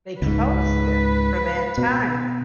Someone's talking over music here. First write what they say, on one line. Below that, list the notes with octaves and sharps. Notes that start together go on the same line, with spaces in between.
they closed it for that time.
C#2 G#2 B4
B2